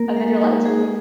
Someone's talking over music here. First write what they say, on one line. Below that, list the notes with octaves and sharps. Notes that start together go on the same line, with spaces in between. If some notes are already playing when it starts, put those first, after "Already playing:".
and then you're like you
Already playing: A#3 A#4
G#3
D#4
G#3 G#4